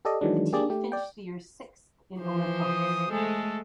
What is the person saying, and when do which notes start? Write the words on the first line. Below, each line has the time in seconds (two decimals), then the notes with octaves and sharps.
The team finished the year sixth in owner points.
0.05 G4 A4 D5 D#5
0.21 D#3 E3 F#3 G#3 D4
0.53 A#3 G4 G#4 D5
0.70 A3 G4
0.92 D5 G5
2.20 E3 F3 C5
2.61 D#6
3.11 G#3 A3 A4